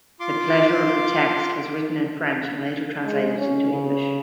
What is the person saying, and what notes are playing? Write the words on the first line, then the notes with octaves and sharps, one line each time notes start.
"The Pleasure of the Text" was written in French and later translated into English.
F4 C6 D6
G#3
C#4
C#3